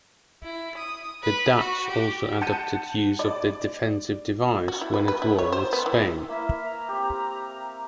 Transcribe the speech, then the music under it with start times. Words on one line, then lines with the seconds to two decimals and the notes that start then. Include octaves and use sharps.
The Dutch also adopted use of the defensive device when at war with Spain.
0.43 E4
0.77 D#6
1.23 B4
1.57 F#4
1.88 G4
2.41 F#5 A5 G6 C#7 D#7
3.19 D5
4.68 F#4
4.81 E4
4.94 B4
5.08 B4
5.22 E4
5.39 C#5
5.52 C5
5.73 B3
5.86 E3
6.29 A#3 E4 E5 F5
6.64 A#5
6.88 C4 G4